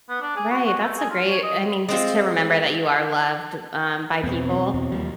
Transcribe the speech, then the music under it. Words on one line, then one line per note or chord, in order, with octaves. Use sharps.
Right. That's a great I mean, just to remember that you are loved, um, by people,
B3
D4
G#4
F#4
F#4
A3
G#4
F4
C#5
D#5
G#3 C4 F4
E2 B2 B3 C4
E2
D#2 F3 G3